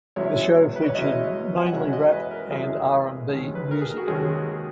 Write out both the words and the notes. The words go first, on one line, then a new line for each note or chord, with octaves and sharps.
The show featured mainly rap and R and B Music.
E2 B2 G#3 C#4 E4 C#5
B4
C#5
E2 B2 G#3 C#4 E4 D#5
G#5
F#5
E2 B2 G#3 C#4 E4 E5
D#5
B4
A#4
E2 B2 G#3 C#4 E4 G#4
D#2 D#3 G#3 C#4
B4
A#4
G#4
F#4
D#2 D#3 G#3 C#4 G#4